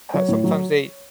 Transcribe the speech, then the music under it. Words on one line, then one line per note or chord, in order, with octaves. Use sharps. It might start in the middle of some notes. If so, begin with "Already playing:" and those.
sometimes they
F#3 C#5
A2
F#3